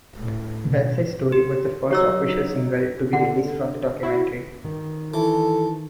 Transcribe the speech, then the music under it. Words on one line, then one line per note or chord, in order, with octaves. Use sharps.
"Westside Story" was the first official single to be released from "The Documentary".
A2
B2
G4
F#3 D#4 G4 C#5 E6
D3 F#5
E4 F#4
D#3
E3 A4